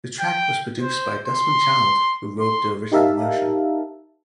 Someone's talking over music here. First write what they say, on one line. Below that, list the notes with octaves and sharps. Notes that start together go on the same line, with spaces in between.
The track was produced by Desmond Child who wrote the original version.
G5
C5
C6
C6
D#4 G4 A#4 E5 F5 A5